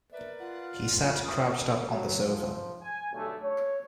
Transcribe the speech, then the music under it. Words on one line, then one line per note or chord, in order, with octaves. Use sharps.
He sat crouched up on the sofa.
A#4 B4 D5 E5
F4 F#5
F3 A3 D#6
F#3
F3
G#5
B1 G2 D3 A3
C#5